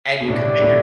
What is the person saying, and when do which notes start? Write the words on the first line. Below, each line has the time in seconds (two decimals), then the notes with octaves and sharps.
and you commit your
0.20 B2
0.28 A2 D3 G3 D4 A4 D5
0.62 A2